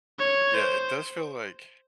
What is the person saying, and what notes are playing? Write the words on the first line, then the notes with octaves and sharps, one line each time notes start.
Yeah. It does feel like
C#5
C5